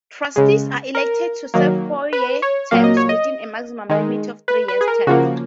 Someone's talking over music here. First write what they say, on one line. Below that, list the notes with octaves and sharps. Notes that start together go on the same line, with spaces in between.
Trustees are elected to serve four-year terms, with a maximum limit of three terms.
C#3 G#3
A#4
D#3 F#3 A#3
B4
C#5
A#2 F#3 A#3 F5
D#5
C#5
D#5
D#3 G#3
B4
B4
G#4
A#4
C#3 F3 A#3 F#4